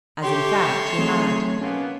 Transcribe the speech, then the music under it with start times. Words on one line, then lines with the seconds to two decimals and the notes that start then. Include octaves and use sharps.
As, in fact, he had.
0.23 G4 A4 C#5 E5 C6
0.98 F#3 A3 C4 D#4 G#4
1.61 B2 A#3 B3 C#4